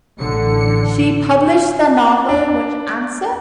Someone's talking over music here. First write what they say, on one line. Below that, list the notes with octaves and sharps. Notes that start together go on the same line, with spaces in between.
She published the novel Which Answer?
A1 D3 C#7
D4